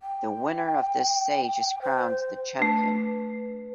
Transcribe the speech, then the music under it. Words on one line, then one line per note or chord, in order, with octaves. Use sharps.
The winner of this stage is crowned the champion.
G5
C5
A3 D4 B4